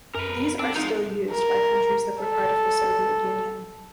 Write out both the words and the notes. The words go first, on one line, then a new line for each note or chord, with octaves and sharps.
These are still used by countries that were part of the Soviet Union.
F#2 A#4 B4
C4 D4
F3 G#3 D#4 F4
A#4
A4